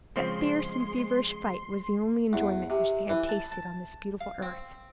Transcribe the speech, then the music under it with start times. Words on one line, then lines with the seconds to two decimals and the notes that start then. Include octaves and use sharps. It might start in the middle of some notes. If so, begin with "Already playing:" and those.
That fierce and feverish fight was the only enjoyment which they had tasted on this beautiful earth.
0.16 C#3 F3 G#3 C4 C6
2.33 E2
2.70 C3
3.10 E3
3.29 A5
3.52 A5
4.21 F5
4.42 C4